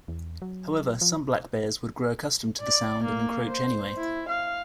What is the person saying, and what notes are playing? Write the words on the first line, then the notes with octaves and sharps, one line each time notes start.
However, some black bears would grow accustomed to the sound and encroach anyway.
E2
F#3
F3
D5
A#3
C5
E4
F5